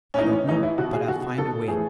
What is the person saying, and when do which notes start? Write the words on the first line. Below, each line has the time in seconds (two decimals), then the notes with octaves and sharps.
"I don't know, but I'll find a way."
0.14 C#4
0.18 A2 E3 D#4
0.33 C#4
0.49 A2 E3 D#4
0.63 E4
0.78 B2 F#4
0.93 G#4
1.08 B2 F#4
1.38 B2 A4
1.67 A2 E3 G#4